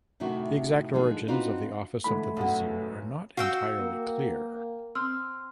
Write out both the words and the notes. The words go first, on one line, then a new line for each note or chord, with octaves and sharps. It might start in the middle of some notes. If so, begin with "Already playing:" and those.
The exact origins of the office of vizier are not entirely clear.
A2 C3 D#3 E4 F#4
D3 F3 G#3 A#3 D#4 F4
C4 D4 D#4 F4 F#4 B4
D3 E3 G#3 A3 B5
B1 F#2 F#3 B3 E4
F#4 F5 G5 E6
A#3
C4 C6 E6 F6